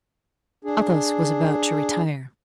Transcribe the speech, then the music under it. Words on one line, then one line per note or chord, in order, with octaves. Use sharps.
Athos was about to retire.
D4 G#4